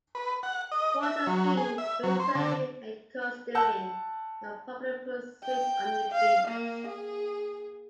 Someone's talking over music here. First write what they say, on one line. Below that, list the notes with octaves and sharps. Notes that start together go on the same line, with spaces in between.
Water-skiing, windsurfing and coasteering are popular pursuits on the beach.
B4
F#5
D#5
E5
F#3
G#4
E5
F#3
C5
D3
F#5 A5 E6 G6
G5
F5
A#3
G#4